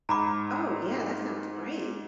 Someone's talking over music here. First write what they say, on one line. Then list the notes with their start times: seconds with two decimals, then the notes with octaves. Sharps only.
Oh, yeah, that sounds great.
0.09 G#2 A#5 B5 D6